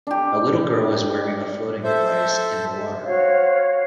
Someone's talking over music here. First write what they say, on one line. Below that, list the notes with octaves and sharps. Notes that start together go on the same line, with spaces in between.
The little girl is wearing a floating device in the water.
D4 G4
A4 C5 E5
F#4 C5 C#5 F5